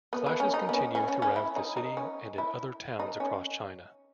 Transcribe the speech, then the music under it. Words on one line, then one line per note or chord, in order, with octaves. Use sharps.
Clashes continued throughout the city and in other towns across China.
B3
B3
C#4
D#4
B3
C#4
C#4
C#4
C#4
E4
D#4
D#4
C#4
E4
D#4
C#4